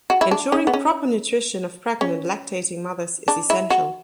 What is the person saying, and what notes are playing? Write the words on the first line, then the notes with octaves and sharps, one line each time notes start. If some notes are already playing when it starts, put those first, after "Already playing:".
Ensuring proper nutrition of pregnant and lactating mothers is essential.
F#4
E4
D4
C#4
B3
C#4
C#4
D4
E4
F#4